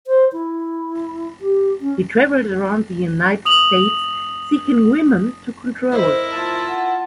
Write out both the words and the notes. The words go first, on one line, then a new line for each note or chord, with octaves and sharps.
He traveled around the United States seeking women to control.
C5
E4
G4
C#4
D#6 F7 F#7
E4 A#4 C5 D#5
F4 A5
F#5